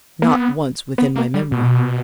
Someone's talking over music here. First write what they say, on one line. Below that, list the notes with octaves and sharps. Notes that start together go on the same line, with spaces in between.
"Not once within my memory."
A#3
B3
B3
A#3
G3
B2